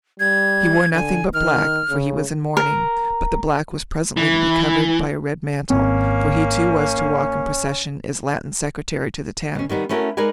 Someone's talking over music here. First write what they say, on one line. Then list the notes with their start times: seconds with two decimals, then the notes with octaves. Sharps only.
He wore nothing but black, for he was in mourning; but the black was presently to be covered by a red mantle, for he too was to walk in procession as Latin Secretary to the Ten.
0.20 G3 G#6
0.94 D3 G#5
1.34 D#3 F6
1.89 C#3
2.57 A#4
4.17 E3
5.70 G#1 A#3 C4 C#4
9.55 B2 C#4
9.69 D#3 G3 B3 D#4
9.89 A3 B3 C#4 E4 F#4 A#4
10.17 G#3 D#4 A#4 B4 D5 G#5